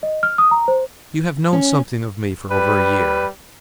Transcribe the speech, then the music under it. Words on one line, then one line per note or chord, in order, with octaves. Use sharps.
You have known something of me for over a year.
D#5
F6
D#6
A#5
C5
C#4
G3 B4